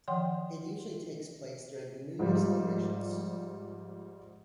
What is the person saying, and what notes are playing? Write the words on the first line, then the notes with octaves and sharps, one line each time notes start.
It usually takes place during the New Year celebrations.
D#3 F3 C#5 F#5 G5 C6
G#2 F3 G3